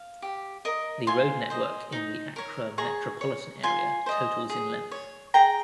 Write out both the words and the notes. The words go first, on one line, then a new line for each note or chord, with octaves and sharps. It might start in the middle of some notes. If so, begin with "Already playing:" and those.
The road network in the Accra Metropolitan Area totals in length.
Already playing: F5
G4
A#4 D#5
F4 G#5 C6
C5 D#5
D#4
A#4 C#5
G#4 A#5 C#6
C#5
F4 G#5 C6
C5 D#5
G#4
C#5
G#4 G5 A#5